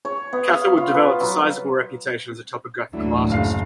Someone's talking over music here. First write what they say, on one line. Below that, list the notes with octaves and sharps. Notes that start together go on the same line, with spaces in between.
Catherwood developed a sizeable reputation as a topographical artist.
C#5
B3
F5
F4
B4
F#3
A1 D2 A2 F#3 A3 A#3 D4 E4
F#1 F5 C7